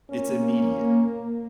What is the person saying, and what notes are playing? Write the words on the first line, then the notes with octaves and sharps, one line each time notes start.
It's immediate.
A#3 C#4